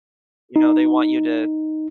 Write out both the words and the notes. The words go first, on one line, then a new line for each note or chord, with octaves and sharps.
you know, they want you to
D#4